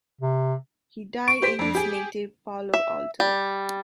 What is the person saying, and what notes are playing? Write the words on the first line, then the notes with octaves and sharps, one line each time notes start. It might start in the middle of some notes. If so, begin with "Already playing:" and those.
He died in his native Palo Alto.
C3
C#6 D7
G4 C5 B6
F2 D4
G4 G#4
E5
G3